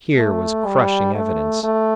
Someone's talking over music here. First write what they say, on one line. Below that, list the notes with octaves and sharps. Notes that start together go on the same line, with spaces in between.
Here was crushing evidence.
A3
G3
A3
A3